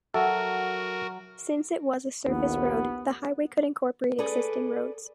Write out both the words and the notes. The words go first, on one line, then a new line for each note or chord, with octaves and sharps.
Since it was a surface road, the highway could incorporate existing roads.
F#3 F#4 A4 A#4 E5 F#5
A#1 D#2 B3
G#4 A4 B4 D5